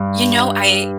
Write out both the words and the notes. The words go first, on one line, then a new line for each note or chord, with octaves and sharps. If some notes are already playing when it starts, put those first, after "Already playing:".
You know, I
Already playing: G2